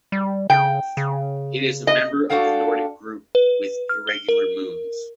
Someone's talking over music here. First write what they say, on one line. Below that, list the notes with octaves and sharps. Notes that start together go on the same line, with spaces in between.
It is a member of the Nordic Group with irregular moons.
G3
C#3 G5
C#3
D#5
D4 E4 F#4 A4 F5 G5
B4
F6
G7
A#4